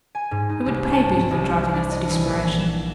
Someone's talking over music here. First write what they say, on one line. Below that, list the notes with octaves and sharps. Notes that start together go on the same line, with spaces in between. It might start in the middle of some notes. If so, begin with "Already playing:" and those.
It would pay better than driving us to desperation.
G#5
G#2
D#4
C2
A5
C2
D4
D#5
E3
A#1
E7